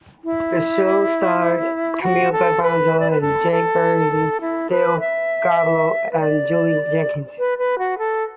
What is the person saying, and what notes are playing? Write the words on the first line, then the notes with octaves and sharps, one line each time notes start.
The show starred Carmine Giovinazzo, Jake Busey, Dale Godboldo, and Jolie Jenkins.
E4
F#4
A4
B4
D5
B4
A4
A4
E4
B4
E5
B4
D5
B4
B4
F#4
A4